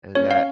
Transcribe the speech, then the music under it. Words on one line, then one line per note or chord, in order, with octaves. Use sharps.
and that
C#4 C#5
F5